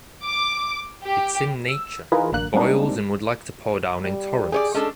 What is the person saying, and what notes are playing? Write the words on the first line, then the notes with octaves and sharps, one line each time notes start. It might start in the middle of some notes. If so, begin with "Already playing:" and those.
It’s in Nature, it boils and would like to pour down in torrents.
D6
G4
E6
E3 D#4 F4 G#4 A#4 B4
A1 D3 A#3 F#6
G3 G#3 A#3 C4 D4 D#4
G3
G4 G#4 C#5 D5
G#3 C#4 D4 A4